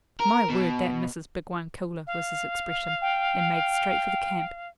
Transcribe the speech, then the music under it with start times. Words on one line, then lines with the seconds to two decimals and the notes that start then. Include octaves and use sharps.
"My word, that missis big one coolah!" was his expression, and made straight for the camp.
0.20 A#4
0.49 B2
2.07 F5
3.02 G5